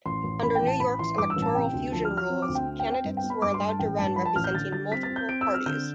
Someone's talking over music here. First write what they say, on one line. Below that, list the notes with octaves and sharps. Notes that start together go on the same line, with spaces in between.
Under New York's electoral fusion rules, candidates were allowed to run representing multiple parties.
A1 C6
A1
A1 B5
G5
A1
A5
A1 B5
E3 C6
G2 D6
E6
A1
A5
C3 G5
D2
F3 A5
F6
F3
F6
C4
D6
D2
G5
C4
G5
C4
G5
G2
G5
B3
B5
G2 D6
C6
G2
A5
A1 G5
G2 A5
F3 B5
A5
A1 F6
G6
D3 A6
G3 A6
C4 B6
A6
C4
G6
C4 D7
E6
C4
F6
D3 G6